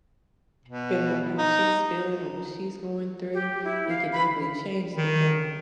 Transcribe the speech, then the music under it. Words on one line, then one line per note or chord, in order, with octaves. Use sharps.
depending on how she's feeling, or what she's going through, it could definitely change the tone.
B2
D#4
G4
E4
F5
B5
D#3